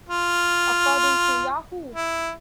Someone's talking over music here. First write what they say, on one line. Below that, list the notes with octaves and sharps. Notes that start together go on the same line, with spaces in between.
According to Yahoo!
F4
E4